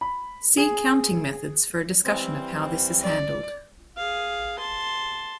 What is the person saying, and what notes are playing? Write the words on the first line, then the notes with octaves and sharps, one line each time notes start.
See Counting Methods for a discussion of how this is handled.
B5
G#4
E3 G3 C4
D5
G#4 F5
A5 C6